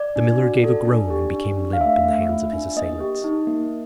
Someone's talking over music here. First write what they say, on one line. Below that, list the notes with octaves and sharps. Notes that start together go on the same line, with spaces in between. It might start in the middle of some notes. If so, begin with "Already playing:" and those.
The miller gave a groan and became limp in the hands of his assailants.
Already playing: D5
D4
F#4
A4
D4
G4
D4
D4
F5
A3 E5
A3
F4
D4
A#3 D#5
G4
D#4
A#3